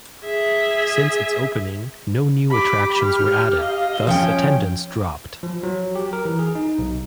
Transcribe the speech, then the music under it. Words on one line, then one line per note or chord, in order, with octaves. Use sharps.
Since its opening, no new attractions were added, thus attendance dropped.
G#4 E5
G4 B5 D6
F6
D#5 F5
F3 C#4 C#5 G5
F3
F#3
G4
A#4
E3
G#4
D#4
B1